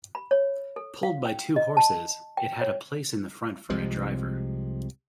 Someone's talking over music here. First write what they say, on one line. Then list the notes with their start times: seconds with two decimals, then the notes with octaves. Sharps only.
Pulled by two horses, it had a place in the front for a driver.
0.15 B5
0.31 C#5
0.76 A4
1.03 F5
1.25 G5
1.56 D#5
1.77 A5
2.37 G5
2.61 C#5
3.70 C2 C3 F3 G#3